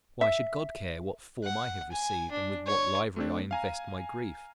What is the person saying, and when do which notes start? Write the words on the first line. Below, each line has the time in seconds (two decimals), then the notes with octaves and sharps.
Why should God care what form I have received and with what livery I invest my grief?
0.21 E5
1.44 F#5
1.92 G#5
2.31 D4
2.67 C#5
3.16 A3 C4 D4
3.51 F5 G#5 A#5